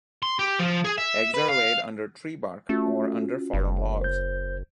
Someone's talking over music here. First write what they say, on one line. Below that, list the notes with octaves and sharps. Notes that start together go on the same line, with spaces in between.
Eggs are laid under tree bark, or under fallen logs.
C6
G4
F3
G#4
E5
B4
F5
A3 C#4 F4 F#4
F#1
C5 G6